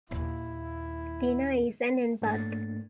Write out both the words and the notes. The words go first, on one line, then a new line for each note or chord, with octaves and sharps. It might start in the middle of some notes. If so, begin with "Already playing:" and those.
Tina is an empath.
D#2 A#2 E4
G#2 A3 A#3 D4 A6